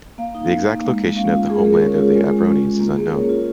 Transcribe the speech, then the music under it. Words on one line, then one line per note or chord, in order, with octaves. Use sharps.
The exact location of the homeland of the Ambrones is unknown.
A#3 F5
D#4
D#4
A#3
G#3
G#3
C#4 F5
F4
G#3 G#4
A#4
G#3 G#4
A#4
C#4 C#5
F4
G#3
G#3
C#4
F4
A#3
A#3 G#4
A#4
C#4 C#5
F4